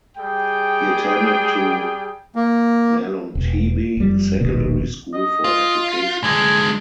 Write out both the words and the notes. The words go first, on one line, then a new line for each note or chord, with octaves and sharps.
He attended to Mahlontebe Secondary School for education.
G3 G#4 G5
A#3
E1 B2
F#1 F2 G3
D#1 A#1 D#2 B2
D#5
F4
D3 G#3 G#5